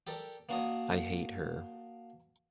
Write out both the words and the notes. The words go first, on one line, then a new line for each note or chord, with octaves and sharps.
I hate her.
G4 A4 A#4 D5
A#3 D4 F#4 A#4 D5 D#5